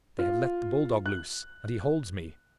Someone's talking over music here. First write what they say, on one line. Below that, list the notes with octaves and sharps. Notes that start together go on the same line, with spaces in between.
"They have let the bull-dog loose, and he holds me!"
F4
F#6